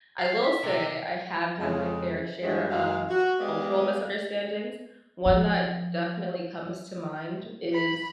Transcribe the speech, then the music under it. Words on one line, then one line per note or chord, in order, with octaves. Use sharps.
I will say, I have had my fair share of cultural misunderstandings. One that definitely comes to mind is
F5
E5
C3
F2 C#3 G#3
G2 F#3 G#3
F#2 F#3 G#3 F5
F#4
G#3 B3 G4 D5 D#5 F5
F3
B5